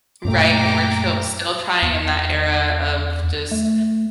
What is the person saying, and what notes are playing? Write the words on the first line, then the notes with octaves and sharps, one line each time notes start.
Right? And we're tril still trying in that era of just,
F#2 A#2 A3 G5 A#5 D6
E2
A3